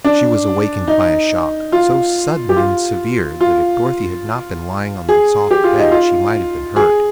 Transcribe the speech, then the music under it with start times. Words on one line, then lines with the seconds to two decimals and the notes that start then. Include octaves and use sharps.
She was awakened by a shock, so sudden and severe that if Dorothy had not been lying on the soft bed she might have been hurt.
0.04 D4
0.88 D#4
1.72 F4
2.49 G4
2.57 F4
3.41 F4
5.09 G#4
5.51 G4
5.64 F4
5.78 D#4
5.92 F4
6.76 G#4